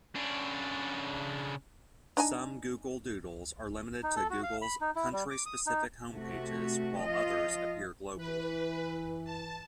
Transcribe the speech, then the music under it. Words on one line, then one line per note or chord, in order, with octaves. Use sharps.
Some Google Doodles are limited to Google's country-specific home pages while others appear globally.
C#3 D4
D4 D#4 G#5
D#4
A4
F#4
F5
B5
D#4
E4
G3
D6
D#6
D#4
C3 A3 F#4
F3 F4 D#5
E3 B4
A5